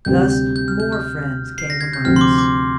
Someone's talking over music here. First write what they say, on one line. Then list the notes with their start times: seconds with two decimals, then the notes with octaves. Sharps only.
Thus more friends came among us.
0.05 D2 C3 G3 C4 G4 G6
0.30 G6
0.56 G6
0.68 F6
0.80 G6
0.93 F6
1.58 C7
1.70 A#6
1.81 G#6
1.93 G6
2.04 D2 C3 F3 C4 F6
2.16 C6
2.21 D6
2.38 D6